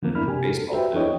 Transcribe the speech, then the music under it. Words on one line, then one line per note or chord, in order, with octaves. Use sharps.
Mhm, baseball too.
D3 F3 A#3 C4
D4 E4 A#4 B5 F6
C3 G4 G#5
A4
F#4 G4 B4 C5 E5 G5
F3 D4 E4 C#5 D#5 G5